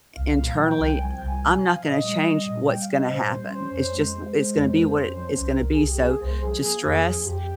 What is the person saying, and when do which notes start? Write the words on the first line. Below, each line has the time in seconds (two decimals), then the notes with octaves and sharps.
i internally, I'm not gonna change what's gonna happen; it's just it's gonna be what it's gonna be, so, to stress
0.16 C2 F5
0.37 A#2
0.57 F3 G5
0.78 C2
1.00 F3 G#5
1.13 G5
1.21 C2
1.27 G#5
1.42 F3
1.52 G#5
1.63 F3 G#5
1.72 F5
1.83 A#2 D#5
2.04 G3
2.25 G3
2.45 A#2
2.66 G3 G5
2.81 F5
2.87 G3
2.95 D#5
3.08 A#2 C5
3.30 G3
3.49 C#4 C5
3.70 F2
3.92 G#3
4.12 G#3
4.34 G#3 C5
4.54 F2 C#5
4.65 C5
4.75 F2 A#4
4.84 C5
4.96 C#4
5.16 F3
5.38 C2
5.58 C2 A#4
5.73 G#4
5.80 C2
5.87 G4
6.00 A#3 G#4
6.21 C2 C5
6.42 F3 G#4
6.63 A#3
6.84 F2
7.05 F3
7.26 F2 G4